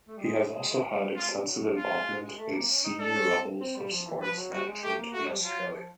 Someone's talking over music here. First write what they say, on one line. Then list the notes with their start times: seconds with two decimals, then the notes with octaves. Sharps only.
He has also had extensive involvement in senior levels of sports management in Australia.
0.08 A3
0.18 G3
0.24 G#3
0.40 G#3
0.50 A3
0.54 G#3
0.70 G#3
1.01 G3
1.16 G#3 F4
1.31 G3
1.47 F#3
1.62 F#3
1.77 G#3 F4
1.93 G#3
2.08 G#3
2.23 G#3
2.38 A3
2.54 A#3
2.69 C#4
2.84 D#4
2.99 D4 A4
3.15 C#4
3.30 C4
3.61 C4
3.76 G3
3.91 F3
4.07 E3
4.22 F3 B4
4.37 F#3
4.52 G3 F#4
4.68 G#3
4.83 A3 G4
4.98 A#3
5.13 A3 F#4
5.29 G3
5.38 F3
5.44 F#3 F4
5.60 F3
5.75 F3